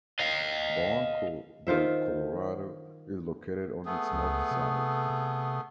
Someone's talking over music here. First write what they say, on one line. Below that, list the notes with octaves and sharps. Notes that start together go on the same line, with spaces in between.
Barranco del Colorado is located on its north side.
D#5 F5
D#3 F4 C5 E5
A3 B3 G#4
C#2
C3
C3